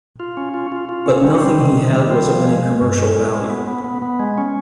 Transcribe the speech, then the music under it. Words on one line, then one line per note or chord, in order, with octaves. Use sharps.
But nothing he had was of any commercial value.
F4
C#4
F4
F4
F4
C#4
G3
C4
D#3
D#3
G3
C4
F3
G#3
G#3
G2
G#3
G#3
G#3
B3
B3
B3
B3
G#3
C#4